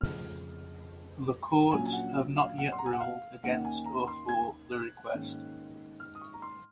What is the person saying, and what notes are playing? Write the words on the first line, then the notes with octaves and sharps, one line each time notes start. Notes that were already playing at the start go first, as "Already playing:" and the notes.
The courts have not yet ruled against or for the request.
F1 F2 C#3 F6
A#1 A#2 F#3 C#4 G#5
G#5
F#5
F5
F#5
C6
A#5
G#5
F#5
F5
D#2 D#3 A#3 C#4 F#5
G#5
A#5
C6
G#6
F#6
G#2 D#3 A#3 C#4
F6
D#6
C#6
A#5
C6